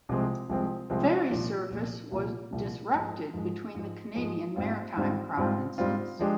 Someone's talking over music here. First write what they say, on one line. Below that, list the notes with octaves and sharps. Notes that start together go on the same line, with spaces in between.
Ferry service was disrupted between the Canadian Maritime provinces.
C2 C3 F3 G#3 C4
C2 C3 F3 G#3 C4
C2 C3 F3 G#3 C4
C2 A#2 F3
C2 A#2 F3
C2 A#2 F3
C2 A#2 F3
G#2 F3 G#3
G#2 F3 G#3
G#2 F3 G#3
G#2 F3 G#3
G#2 G3 C4 F4
G#2 G3 C4 F4
G#2 G3 C4 F4
G#2 G3 C4 F4
F3 G#3 D4 G4